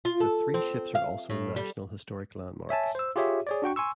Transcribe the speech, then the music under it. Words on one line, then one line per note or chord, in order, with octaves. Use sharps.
The three ships are also National Historic Landmarks.
F4
A4
C4
F5
A2
G3
C#5 E5 G#5 A5
C5 E6
F4 G4 G#4 C#5 E5
G#4 C#5 D5
D4 F#4 G5 C#6
G#5 C6 C#6 E6